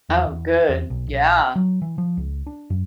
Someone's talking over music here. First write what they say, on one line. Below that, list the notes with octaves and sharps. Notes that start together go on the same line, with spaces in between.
Oh, good. Yeah.
E2
E2
E2
B1
A#1
F#3
E3
F3
C#2
D4
F#2